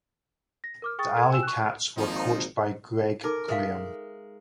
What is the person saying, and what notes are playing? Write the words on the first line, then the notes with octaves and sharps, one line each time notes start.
The Alley Cats were coached by Greg Graham.
A#6
A#4 D6 F6
G#4 G5 C#6 D#6 A6
A4 G#6
G5 G#5 E6 E7
C#6 F#6
G#1 F3 A#3 D#4
D#4 A4 A#4 D6
G#3 A#4 E5 F5